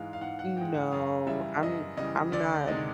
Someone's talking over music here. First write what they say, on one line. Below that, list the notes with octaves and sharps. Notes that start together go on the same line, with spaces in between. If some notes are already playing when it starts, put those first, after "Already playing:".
No, I'm I'm not
Already playing: G#2 E3 G#3 F5
F5
G#2 F#5
F#5
E3 G#3 G5
F#5
F#2 F5
C#3 E3 G3 E5
F#2 D#5
C#3 E3 G3 D#5
D2 D5
C3 D#3 G#3 D#5